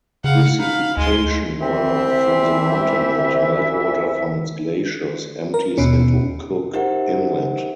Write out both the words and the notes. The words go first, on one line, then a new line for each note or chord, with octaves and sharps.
Precipitation runoff from the mountain and meltwater from its glaciers empties into Cook Inlet.
C#3 F5 F#5
D#4 F5 B5
D2 G#3 C6
C2 E3 C4 E5
A#4
D#2 B2 C#4
D#4 G4 A#4 C5 E5 F#5